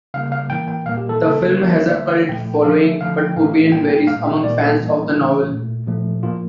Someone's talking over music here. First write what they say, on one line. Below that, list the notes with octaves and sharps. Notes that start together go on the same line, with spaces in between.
The film has a cult following but opinion varies among fans of the novel.
C#3 G3 A#3 F5
F5
A2 E3 A#3 G5
G5
A#2 G3 A#3 F5
G4
A4
C#3 G3 A#3 A4
D3 G3 A#3 C#5
D5
D3 A3 E5
F5
A#2 F3 A3 G5
D3 F3 A3 F5
E5
D3 F3 A3 F5
G5
A2 E3 A3 F5
A2 G3 A#3 G5
G5
A#2 A3 F5
E5
A#2 G3 A#3 D5
A4
A2 E3 G3 A#3
A2 E3 A3
A#2 A3
A#2 F3 A3
A2 F3 A#3 F4